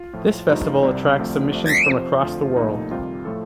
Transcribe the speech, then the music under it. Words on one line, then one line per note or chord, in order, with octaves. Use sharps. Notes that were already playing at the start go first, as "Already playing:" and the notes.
This festival attracts submissions from across the world.
Already playing: F4
A2 F3 A3
G2 F3 A3 D#4
F4
C2 C3 G3 D5
D2 C3 F3 A3
C2 C3 F3 A3
F2 C3 F3 C5
F2 D3 F3 A3 F4
C2 A#2 F3 A3 D#4
F2 C3 D#3 G3 F4
A2 F3 A3 A4